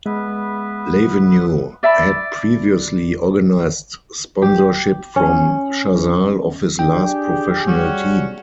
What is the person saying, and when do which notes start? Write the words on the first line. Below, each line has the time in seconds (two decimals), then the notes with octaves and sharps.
Lavenu had previously organised sponsorship from Chazal of his last professional team.
0.06 G#3 B3 B4 E5
1.83 D5 E5 A5 B5
4.42 G4
5.16 C#4
6.79 D4 G4 G#4 G5
7.67 G3 C#4 F#4